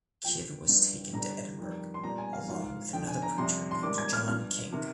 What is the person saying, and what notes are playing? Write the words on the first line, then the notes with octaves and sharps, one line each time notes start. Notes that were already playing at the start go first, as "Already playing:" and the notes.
Kid was taken to Edinburgh along with another preacher named John King.
A#2 F3 G5
G2 F3
G2 D3 G3 A#5
F2 D#3 G3
C6
A#2 G3 A#5
G#5
F5
G#2 F3
F2 D3 F3 G5
G#5
A#5
F2 C3 G3 C6
C6
G#2 D#3 G3 D6
G#6
F6
G2 F3 F6
C3 D#3